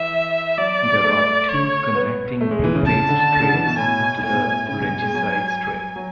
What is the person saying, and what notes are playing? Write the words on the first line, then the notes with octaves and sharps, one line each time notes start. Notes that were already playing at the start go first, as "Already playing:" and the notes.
There are two connecting Blue-Blazed Trails to the Regicides Trail.
Already playing: E3 E5
F#3 D5
A3
C#5
B3
A3
G#3
E3
C#3
C#3 A5
D3
D3
C#3
D3
E3
B2
A2 G#5
B2
A2 G#5
B2
A2
C#3 G#5
B2
B2
G#3
F#3
F#3